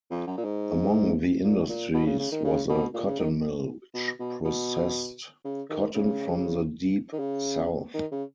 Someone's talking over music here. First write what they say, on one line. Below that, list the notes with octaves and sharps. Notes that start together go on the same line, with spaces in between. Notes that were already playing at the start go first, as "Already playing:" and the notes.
Among the industries was a cotton mill, which processed cotton from the Deep South.
F2
F#2
A#2
G#2
A#2
A#2
B2
C#3
C#3
D#3
C#3
B2
A#2
C#3
D#3
B2
B2
B2
C#3
D#3
C#3
D#3
C#3
D#3
C#3